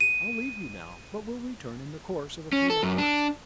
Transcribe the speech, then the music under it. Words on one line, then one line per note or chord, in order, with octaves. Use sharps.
"I'll leave you now, but will return, in the course of a few hours."
D#7
C#4
A4
F#2
D4